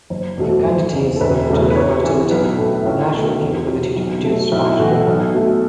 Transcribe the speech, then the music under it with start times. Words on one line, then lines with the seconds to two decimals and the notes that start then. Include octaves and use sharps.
Fecundity is similar to fertility, the natural capability to produce offspring.
0.10 F#1
0.38 E2 B2 F#3 A3
0.65 F#1
0.93 E2 C#3
1.16 A4
1.20 E1 B4
1.48 E2 C#3 F#3 A3
1.70 B4
1.76 E1 C#5
2.03 E2 E3
2.31 B1 B4
2.58 A2 A3
2.82 E4
2.86 C#2 C#4
3.13 B2 A3
3.41 E2
3.69 B2 F#3
3.97 B1
4.24 B2 F#3 A3
4.52 B1 E4
4.65 E4
4.79 A2 E3 F#4
4.94 A4
5.07 B1
5.34 B2 F#3 A3